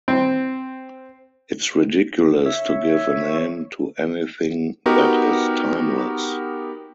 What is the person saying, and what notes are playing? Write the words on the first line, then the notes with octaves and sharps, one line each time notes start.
It's ridiculous to give a name to anything that is timeless.
C4
C#5 E5
B3 D#4 F#4 G4 A#4